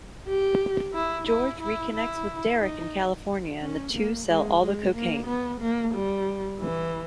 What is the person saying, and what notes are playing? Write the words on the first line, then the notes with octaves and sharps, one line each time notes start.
George reconnects with Derek in California, and the two sell all the cocaine.
G4
E4
E4
E4
E4
D#4
C#4
A#3
G#3
G#3
A#3
B3
A#3
G3
E3